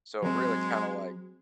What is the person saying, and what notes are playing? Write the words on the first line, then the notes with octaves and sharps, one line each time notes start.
So it really kind of like,
F#3 G#3 C4